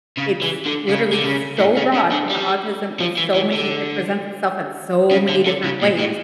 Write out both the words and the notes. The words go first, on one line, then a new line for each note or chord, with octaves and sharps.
It's literally so broad in the autism. It's so many it presents itself in so many different ways,
C#3
E3
D3
C#3
D3
C#3
A2
C#3
C#3
D3
G3
F3
E3
E3
D3
C#3
D3
D3
C#3
A#2
A2